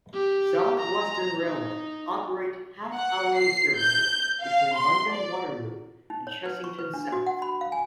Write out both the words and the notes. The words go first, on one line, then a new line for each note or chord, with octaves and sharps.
South Western Railway operate half-hourly services between London Waterloo and Chessington South.
G4
A#5
D#4
F#5
C7
G6
F5
C6
D5
D#4
C#5
B4
C#6
B4
D4
F#4
F#5
B5
F5
G#5